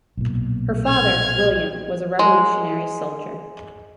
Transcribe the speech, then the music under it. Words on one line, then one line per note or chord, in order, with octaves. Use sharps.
Her father, William, was a Revolutionary Soldier.
B1 A#2
F6 G#6
G#3 A#4